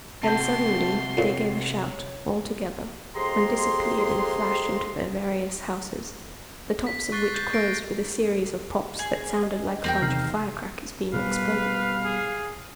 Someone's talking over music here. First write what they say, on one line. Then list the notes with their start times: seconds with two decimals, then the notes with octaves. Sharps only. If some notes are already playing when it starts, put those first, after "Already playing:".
Then suddenly they gave a shout, all together, and disappeared in a flash into their various houses, the tops of which closed with a series of pops that sounded like a bunch of firecrackers being exploded.
0.23 C3 F#4 A5 C6 G6
1.17 F2 A#2 C#5
3.16 F2 G4 G#4 A#5 C6
6.87 B6
7.12 C#6 F#6 A6 C7 G7
7.34 G6 A6
7.52 G6 A6 A#6 C7 D7
8.99 G#4
9.43 D#5
9.84 E2 C4 A#4 G5
10.02 E2 C3 D#3 F6 C7
11.13 B2 G3 B4 F5
12.05 G#4